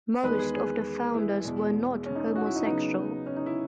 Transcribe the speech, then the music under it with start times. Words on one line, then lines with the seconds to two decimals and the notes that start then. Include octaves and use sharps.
Most of the founders were not homosexual.
0.23 E2 D#3 G#3 B3 B4
0.39 G#4
0.54 G#4
1.14 E4
1.44 E2 B2 G#3
2.06 C#4
2.16 D#4
2.36 F#4
2.46 E4
2.56 D#4
2.66 C#3 F#3 B3 D#4
3.26 C#4
3.37 D#4
3.46 E4